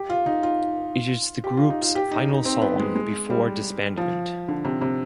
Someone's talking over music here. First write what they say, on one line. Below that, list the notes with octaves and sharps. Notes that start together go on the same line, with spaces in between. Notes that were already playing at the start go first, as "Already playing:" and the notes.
It is the group’s final song before disbandment.
Already playing: G4
F4
D#4
F4
G4
F4
D#4
F4
G4
D#4
D#4
C4
B3
G#3
G#3
G3
F3
D3
C3
C3